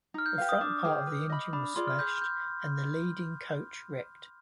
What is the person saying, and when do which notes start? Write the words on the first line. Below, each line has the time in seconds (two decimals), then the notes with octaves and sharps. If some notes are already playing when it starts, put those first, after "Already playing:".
The front part of the engine was smashed and the leading coach wrecked.
0.14 D#4 F6
0.26 G6
0.38 G4 B4 F5
0.49 D#6
0.61 D4 D6
0.84 G#4 C5 G5
1.07 B4
1.30 D#5 B5
1.53 D4 B5
1.76 F4 G#4 D5 C6
1.88 F6
1.99 G#4 G6
2.17 F6
2.22 G6